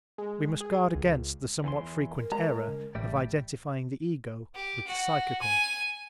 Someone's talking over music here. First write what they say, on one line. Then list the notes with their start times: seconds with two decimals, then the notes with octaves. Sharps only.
We must guard against the somewhat frequent error of identifying the Ego with the psychical.
0.18 G#3
0.61 G#4
0.95 C#2
1.64 E2 E3 C6
2.14 A#4
2.32 G#3 A#5
2.68 C#3
2.95 A1 G3 A3 D5
4.55 G4
4.87 F#4
5.41 G#5